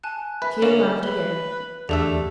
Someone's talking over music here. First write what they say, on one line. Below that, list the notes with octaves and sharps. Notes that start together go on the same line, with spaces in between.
The king laughed again.
G#5 A5 F#6
B4 E5
D3 A#3 C#4 E7 F#7
B4 G7
E2 D3 A3 D4 G4 G#4 E5 A5